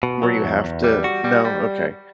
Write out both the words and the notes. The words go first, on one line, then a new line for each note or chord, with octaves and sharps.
Where you have to No? Okay.
B2
F#3
E2
E2
G3
F#4
G3
G3